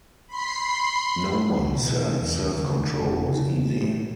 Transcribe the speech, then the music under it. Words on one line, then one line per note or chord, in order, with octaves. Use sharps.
No one said self-control was easy.
B5 C6 C7
C#2
B2
C3
E2
D#2
C#3
D3
F1
C#3
A2